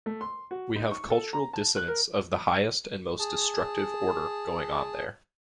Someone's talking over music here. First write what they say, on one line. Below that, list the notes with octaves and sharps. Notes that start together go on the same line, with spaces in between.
We have cultural dissonance of the highest and most destructive order going on there.
A3
C6
F#4
D#4
C#6
A4
A#5
A5
F#6
A#4
G#4 A5